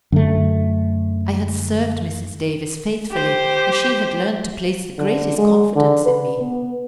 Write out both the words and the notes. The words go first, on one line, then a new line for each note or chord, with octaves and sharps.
I had served Mrs. Davis faithfully, and she had learned to place the greatest confidence in me.
F#2 D3 A3
G4 C5
D3
G#3
D3
B4
B3